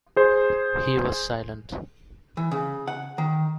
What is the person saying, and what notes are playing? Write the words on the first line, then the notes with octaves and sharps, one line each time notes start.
He was silent.
G#4 C5
E3
C#3
F#5
D#3